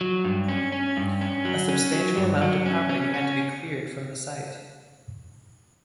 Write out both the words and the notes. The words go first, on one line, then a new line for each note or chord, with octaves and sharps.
A substantial amount of property had to be cleared from the site.
F#3
G2
C#4
C#4
G2
C#4
F#3
C#4
F#3
G2
F#3
C#4
C#4
C#4